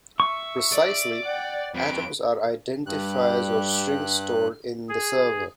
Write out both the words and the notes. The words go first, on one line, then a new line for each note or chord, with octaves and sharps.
Precisely, atoms are identifiers of strings stored in the server.
E5 C#6
D5
F#5 G5
F2 B4 D7
G2 G3 G4 F#6
G#4